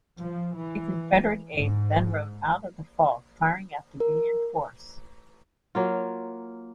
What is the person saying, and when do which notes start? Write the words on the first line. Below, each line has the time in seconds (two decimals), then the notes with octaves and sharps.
A Confederate aide then rode out of the fog firing at the Union force.
0.19 F3
0.55 E3
1.53 G#2
4.00 A#4
5.75 F#3 A#3 F4